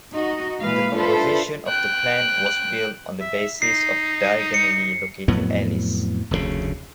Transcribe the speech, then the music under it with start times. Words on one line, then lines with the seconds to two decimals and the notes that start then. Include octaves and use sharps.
The composition of the plan was built on the basis of diagonally located alleys.
0.12 D#4 F#4 D#5
0.60 A#2 E3 G#3 B4 F5
0.94 D4 F4 A4 B4 C5 E5
1.67 G5 F#6
3.21 E5
3.62 D#4 C7
4.54 C#7
5.28 F2 A2 F#3 B3
6.31 F1 D2 G#2 C#3